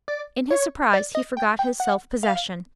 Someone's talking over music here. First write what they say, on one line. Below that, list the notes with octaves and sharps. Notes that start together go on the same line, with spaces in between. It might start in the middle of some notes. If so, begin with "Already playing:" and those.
In his surprise he forgot his self-possession.
D5
C#5
D5
D#5
G5
G5
F#5
F5